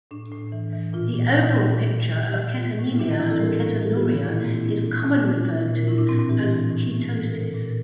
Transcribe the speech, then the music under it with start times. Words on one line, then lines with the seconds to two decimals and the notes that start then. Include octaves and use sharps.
The overall picture of ketonemia and ketonuria is commonly referred as ketosis.
0.11 A2 D4
0.32 A2
0.52 E3
0.73 E3
0.93 A#2 F4
1.14 A#2
1.35 A#2
1.55 A#2
1.76 A#2
1.97 A#2
2.17 A#2 G4
2.37 A#2
2.58 A2 F4
2.79 A2
2.92 E4
2.99 E3 D4
3.11 C4
3.20 E3 E4
3.30 A4
3.40 A2 A#4
3.61 A2
3.68 A4
3.83 E3 G4
3.96 F4
4.03 E3
4.10 F4
4.24 A#2 E4
4.34 A#3
4.43 A#2 C4
4.55 E4
4.64 A#2 D4
4.85 A#2
5.05 A#2 C4
5.19 D4
5.26 A#2
5.33 F4
5.47 A#2 E4
5.68 A#2
5.74 A#4
5.88 A2 E4
5.98 D4
6.09 A2 C4
6.19 C4
6.29 E3 G4
6.51 E3
6.71 A2
6.91 A2
7.12 E3 A4
7.26 A#4
7.33 E3
7.40 A#4
7.54 A#2